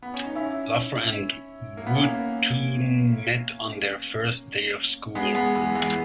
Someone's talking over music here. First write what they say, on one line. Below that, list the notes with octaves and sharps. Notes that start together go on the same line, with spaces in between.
Laffer and Wootton met on their first day of school.
B3
C#4
D#4
C#4 E4
A#3
B3
A#3 C#4
G#3 B3
G#3 B3
E3 G#3
E3 G#3